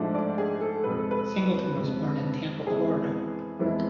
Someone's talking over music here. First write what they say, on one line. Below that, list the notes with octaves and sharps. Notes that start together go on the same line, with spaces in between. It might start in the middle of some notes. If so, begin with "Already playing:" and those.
Singleton was born in Tampa, Florida.
Already playing: G#2 F3 A3 D4
D5
G#4
A4
F2 C3 G#3 B4
A4
B4
F2 C3 G#3
F2 E3 G#3 B3 E4 G#4
F2 E3 G#3 B3 E4